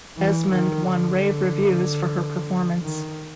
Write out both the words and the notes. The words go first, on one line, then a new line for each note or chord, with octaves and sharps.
Esmond won rave reviews for her performance.
E3
D#3
D3
D#3